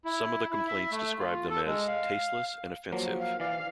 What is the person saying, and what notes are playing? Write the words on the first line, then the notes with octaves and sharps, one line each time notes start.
Some of the complaints described them as "tasteless and offensive".
E4
E4
E5
A3
F4
A4
G#3
F5
F3 F#3 A#3
F5
E3 D5 F5